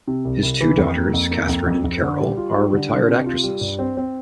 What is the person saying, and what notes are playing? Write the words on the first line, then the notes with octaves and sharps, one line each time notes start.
His two daughters, Catherine and Carol, are retired actresses.
C3
C2
C2
E3
F2
A#3
F2
A#3
F2
F2
F2
D3
G3
F4
G3
D3
D4
C3
F4
G3
G2
C4
C4